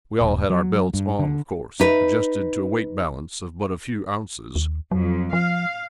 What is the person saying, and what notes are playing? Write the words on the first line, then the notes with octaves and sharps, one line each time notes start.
We all had our belts on, of course, adjusted to a weight balance of but a few ounces.
D#1
F#3
G2
D3
D#4 B4
D#2
F2 F#3
F3 F5